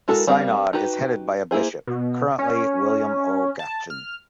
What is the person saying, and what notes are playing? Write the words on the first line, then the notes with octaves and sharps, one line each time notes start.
The synod is headed by a bishop, currently William O. Gafkjen.
G#3 E4 F#4 A4 A#4
G3 C4 A#4 D5 F5
D#4 F#4 G4 B4
A#3 E4 G#4 C5
B2
C#4
A5
F6